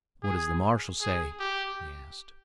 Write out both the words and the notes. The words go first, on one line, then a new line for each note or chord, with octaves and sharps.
"What does the marshal say?" he asked.
G#4
G#4
G4